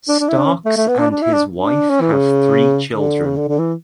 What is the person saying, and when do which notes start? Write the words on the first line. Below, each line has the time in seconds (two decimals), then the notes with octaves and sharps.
Starks and his wife have three children.
0.09 D4
0.20 D4
0.28 E4
0.38 D4
0.45 C#4
0.66 A3
0.77 A3
0.88 B3
0.99 D4
1.11 D4
1.22 E4
1.33 D4
1.56 D4
1.90 C#4
2.01 E3
2.12 C#3
2.92 D3
3.25 C#3
3.37 D3
3.48 D3
3.59 E3